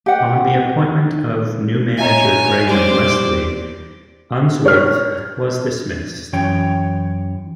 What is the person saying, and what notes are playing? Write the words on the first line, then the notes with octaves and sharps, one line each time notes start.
On the appointment of new manager Graham Westley, Unsworth was dismissed.
G4 F#5
C#5 D#5 E5 G#5 A#5
G3 C5 D5
C#5 F6
F#2 E3 C#4 C#5 G5